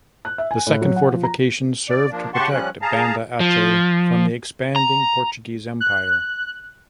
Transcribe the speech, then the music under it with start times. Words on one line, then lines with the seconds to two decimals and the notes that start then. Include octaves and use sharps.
The second fortification served to protect Banda Aceh from the expanding Portuguese Empire.
0.25 F#6
0.38 E5
0.51 G#5
0.67 A2
0.82 F#3
0.96 F#5
1.11 F3
1.23 A#5
1.89 D5
2.11 F3 A#3 D4
2.34 C#3 G4 F#5 A5 C6 C#6
2.49 F3 G3 C#4 F#6
2.82 G#4 F5 A5 A#5
3.40 F3
4.76 A#5
5.80 F#6